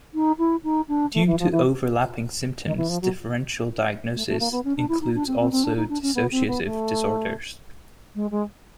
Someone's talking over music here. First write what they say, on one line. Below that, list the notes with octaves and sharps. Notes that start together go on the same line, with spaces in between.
Due to overlapping symptoms, differential diagnosis includes also dissociative disorders.
D#4
E4
D#4
D4
A3
E3
F3
E3
D#3
E3
F3
F#3
A3
A3
A#3
B3
C#4
D4
E4
D#4
D4
C4
C4
C4
D4
D#4
D4
C#4
B3
C4
B3
A3
G#3
G#3